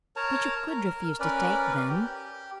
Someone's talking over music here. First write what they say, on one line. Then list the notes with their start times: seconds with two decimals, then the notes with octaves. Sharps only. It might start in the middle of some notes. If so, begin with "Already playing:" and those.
"But you could refuse to take them."
0.16 A#4 C#5 A5 A#5
0.71 A#4
1.20 C#4 A#4 B4 D5
1.89 G4